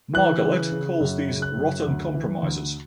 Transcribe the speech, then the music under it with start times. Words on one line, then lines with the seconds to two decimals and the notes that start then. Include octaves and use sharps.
Margalit calls these rotten compromises.
0.14 E3 F#6
0.43 C#3
0.72 C#3
1.00 F#2
1.29 C#3
1.42 F#6
1.57 F#2
1.86 D2
2.14 E3
2.43 D2